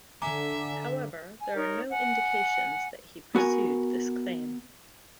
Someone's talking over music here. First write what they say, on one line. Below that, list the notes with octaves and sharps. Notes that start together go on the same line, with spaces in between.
However, there are no indications that he pursued this claim.
D3 E5 G#5 A#5 D6
G#5
D#4 A#4 C#5
F#5 G#5
B3 F#4 A#4 G#5